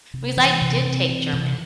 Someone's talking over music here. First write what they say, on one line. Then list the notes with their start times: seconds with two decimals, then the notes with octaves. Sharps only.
because I did take German
0.14 C3
0.37 E3
0.61 C3
0.85 C4
1.09 E3
1.33 C3